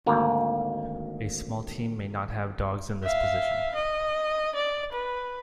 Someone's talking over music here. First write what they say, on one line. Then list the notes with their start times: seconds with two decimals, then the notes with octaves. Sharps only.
A small team may not have dogs in this position.
0.06 G#1 D2 A#3
3.03 E5 F5
3.75 D#5
4.56 D5
4.92 B4